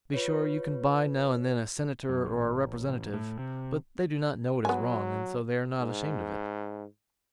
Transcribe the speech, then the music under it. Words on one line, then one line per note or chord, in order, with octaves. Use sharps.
To be sure you can buy now and then a Senator or a Representative but they do not know it is wrong, and so they are not ashamed of it.
F4 B4 C#5
F#2
A1
A1
A2
C3
F#3 B3 G#5
G#2